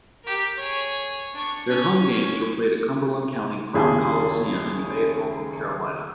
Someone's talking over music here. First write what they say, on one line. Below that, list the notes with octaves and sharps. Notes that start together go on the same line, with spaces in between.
Their home games were played at Cumberland County Crown Coliseum in Fayetteville, North Carolina.
G4 A#4
G#4 C#5
D4 C#6
C#4
F#1 D#2 G3 E4 G#4 A5